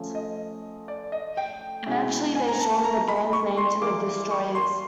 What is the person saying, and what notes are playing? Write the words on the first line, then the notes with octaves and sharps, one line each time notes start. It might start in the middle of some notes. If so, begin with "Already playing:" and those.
Eventually, they shortened the band's name to The Destroyers.
Already playing: F3 A3 C#4
D#5
D5
D#5
G5
B2 G#3 C#4 E4
G#5
A#5
A5
A#5
B5
C#6
C6
E3 G3 A#3 D6
C#6
C6